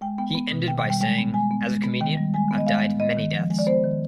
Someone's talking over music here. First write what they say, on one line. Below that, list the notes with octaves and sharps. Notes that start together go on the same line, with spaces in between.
He ended by saying, As a comedian, I've died many deaths.
G#3 G5
B3 G5
B3
B2
D#3 G5
G5
G3
G5
G#3 G5
B3
G#3 G#5
B3
G#3
B3
D#3 G5
G3
G#3 G#5
B3
D#5
G#3 F5
B3
B3 D#5
D#3
F3
G#3
D5
B3 C5
D#3